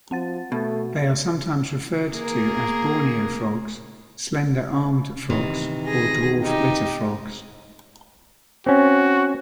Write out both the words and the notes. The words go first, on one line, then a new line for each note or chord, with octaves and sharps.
They are sometimes referred to as Borneo frogs, slender-armed frogs, or dwarf litter frogs.
F3 C4 F#5 A6
B2 A3
A#3 G#4 A#4
C3 D#3 E3
G#4 A#6
D#4 G4
C4 C#4 F#4